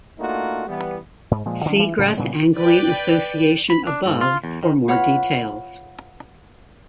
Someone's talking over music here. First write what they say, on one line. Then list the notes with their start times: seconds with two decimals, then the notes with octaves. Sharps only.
See Gress Angling Association above for more details.
0.18 A3 A#3 D4 D#4 F4 F#4
0.67 E3 G3 B3
1.31 G#2
1.46 A#2 F3 G#3
1.65 D3 F#3 A#3 C#4
1.79 E3
1.98 A2 C#3 F#3
2.17 A#2 C#3 G3 B3
2.56 B4 D5 G5
3.70 B5
3.87 D4
4.06 G#2
4.21 F4
4.44 E2
4.63 D#3
4.88 F4 B4 C#5 F#5